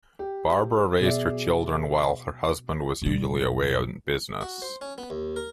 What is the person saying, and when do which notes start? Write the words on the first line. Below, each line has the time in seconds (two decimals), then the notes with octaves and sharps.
Barbara raised her children while her husband was usually away on business.
0.19 G4
1.01 B2 G#4 D5 E5
3.02 E1 G3
4.41 F#4
4.62 C5
4.81 C#4
4.98 B3
5.10 D#2
5.36 A#4